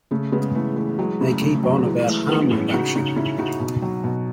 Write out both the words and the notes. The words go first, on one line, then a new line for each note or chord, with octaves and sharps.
They keep on about harm reduction.
C#3 A3
C#3 G#3 B3
E3 A3
E3 A3
F#3 G#3
C#3
A3
C#3
A3
F#3
E3 G#3
E3 A3
E3 G#3 B3
A2 A3 C#4
C#3 D#4 F#4
C#3 D#4 F#4
C#3 C#4 E4
C#3 D#4 F#4
B2
F#3
B2